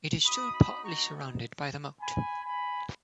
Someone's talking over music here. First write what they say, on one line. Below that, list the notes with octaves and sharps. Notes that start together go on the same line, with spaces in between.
It is still partly surrounded by the moat.
B3 D#4 F#4 B5 D#6
B5 D#6
A#5 C#6
G#5 B5
G#5 B5